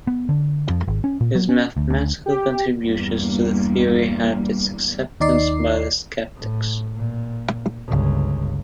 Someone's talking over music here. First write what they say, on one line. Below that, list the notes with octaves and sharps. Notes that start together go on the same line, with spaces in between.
His mathematical contributions to the theory helped its acceptance by the skeptics.
B3
D3
F2
G#1
C#4
A#2
F#3
C#4
D2
D2
G4
E2 G2 G3 A#3
D#2 D#4 D5 C7
A2
A#2
G1 C#2